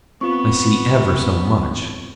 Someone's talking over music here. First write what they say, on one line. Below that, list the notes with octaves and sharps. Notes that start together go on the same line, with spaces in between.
I see ever so much.
B3 C4 F4 C#6